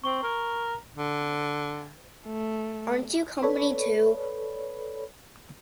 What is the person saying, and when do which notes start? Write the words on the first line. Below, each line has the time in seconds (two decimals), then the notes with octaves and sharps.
Aren't you company too?
0.04 C4 C#6 G7
0.23 A#4
0.95 D3
2.27 A3
3.43 A4 B4 C#5 D5 B5